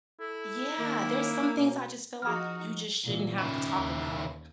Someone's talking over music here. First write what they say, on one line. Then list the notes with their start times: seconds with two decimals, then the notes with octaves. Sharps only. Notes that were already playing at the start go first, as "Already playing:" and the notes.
Yeah, there's some things I just feel, like, you just shouldn't have to talk about,
0.20 E4 A4
0.79 D#3 A#3
1.57 B2
2.22 F3 D#4 F#4 G#4 D#6 F6
3.04 A#2 E3
3.38 D#3 C#4 E4
3.74 D#2